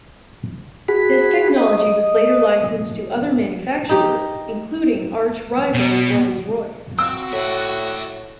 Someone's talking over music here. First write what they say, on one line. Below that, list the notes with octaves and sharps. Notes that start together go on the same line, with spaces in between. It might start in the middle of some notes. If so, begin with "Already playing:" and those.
This technology was later licensed to other manufacturers, including arch-rival Rolls-Royce.
F#4 G#4 B5
D#5
D#4 G4
B2
C4 F#4 E6
A2 D5 E5